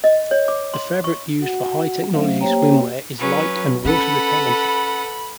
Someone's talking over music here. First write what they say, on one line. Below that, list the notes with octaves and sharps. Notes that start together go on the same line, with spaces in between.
The fabric used for high-technology swimwear is light and water-repellent.
D#5
C#5
D6
C6
C#6
F#4 F#5
F#3 A3 C#4 C5 E5 F5
A#3 G4 C5 C#5 G5 A#5
F#3 C#4 B4
C#4 A4 B4 F#5 B5